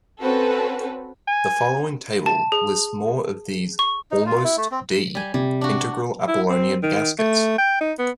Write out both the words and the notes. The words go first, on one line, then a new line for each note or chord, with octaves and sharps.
The following table lists more of these "almost"-"D" integral Apollonian gaskets.
C4 C#4 F#4 A4 B4
G#5
A5
G#4
C#6
D#4
F4
E4
A3
C4
G3 G#5
C3 G3
D4 F#4
E4
C4
D#3
A3
G5
D#4
B3